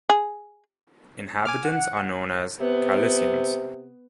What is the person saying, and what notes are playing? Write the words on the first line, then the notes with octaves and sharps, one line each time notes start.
Inhabitants are known as "Chalusiens".
G#4
G#5 D6 F6
F#5
C3 B3